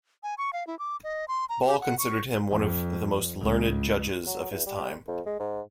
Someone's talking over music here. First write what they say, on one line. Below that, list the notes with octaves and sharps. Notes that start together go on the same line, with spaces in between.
Ball considered him one of the most learned judges of his time.
G#5
C#6
F5
E4
D6
D#5
C6
A#5
G4
F#5
C#6
F2
C#2
F#3
E2
G3
F2
G#3
G#2